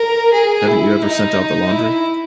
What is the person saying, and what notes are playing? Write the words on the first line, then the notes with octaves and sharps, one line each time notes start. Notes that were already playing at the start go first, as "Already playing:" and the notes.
Haven't you ever sent out the laundry?
Already playing: A#4
G#4
E4
D#4
E4